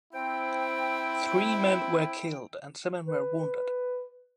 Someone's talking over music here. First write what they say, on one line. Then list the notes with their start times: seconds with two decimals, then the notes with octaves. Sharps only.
Three men were killed and seven were wounded.
0.13 C4 E4 G5
3.08 B4